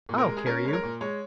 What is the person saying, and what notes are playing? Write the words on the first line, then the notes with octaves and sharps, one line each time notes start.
"I'll carry you."
A#2
A#4
G#3
G#4
C#4 A#4
G#3 C#5
A#4
A#2
G#3 C#5